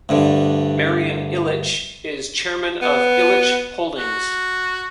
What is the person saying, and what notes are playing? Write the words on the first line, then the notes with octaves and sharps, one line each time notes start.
Marian Ilitch is Chairman of Ilitch Holdings.
D2 G2 D3
B3
F#4